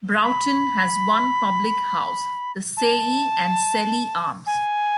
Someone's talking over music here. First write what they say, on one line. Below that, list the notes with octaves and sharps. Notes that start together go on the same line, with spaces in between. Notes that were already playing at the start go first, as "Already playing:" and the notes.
Broughton has one public house, the Saye and Sele Arms.
B5
A5
G#5